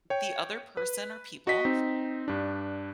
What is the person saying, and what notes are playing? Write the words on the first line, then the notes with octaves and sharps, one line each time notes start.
the other person, or people,
C#5 G5
B4
F#4 D#5 B6
C4 D#4
G2 D4